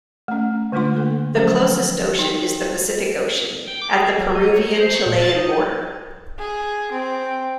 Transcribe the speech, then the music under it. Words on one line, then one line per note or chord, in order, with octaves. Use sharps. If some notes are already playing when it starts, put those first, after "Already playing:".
The closest ocean is the Pacific Ocean, at the Peruvian-Chilean border.
A3 C#4
D3 G#3 A3 D4 F4 C6
A#3 A4
F3 F#3 A3 C#4 A#4 C5
D#4 G5
G5
D6
G#4
F#3
D#5
C#5
A#5
C5
C#6
A#2
A6
D#4
G#4
C4